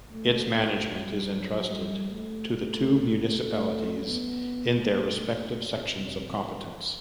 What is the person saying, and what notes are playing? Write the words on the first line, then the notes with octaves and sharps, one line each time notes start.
Its management is entrusted to the two municipalities in their respective sections of competence.
A3
G3
F#3
G3
A3
A3
A3
B3
A3
A3
C3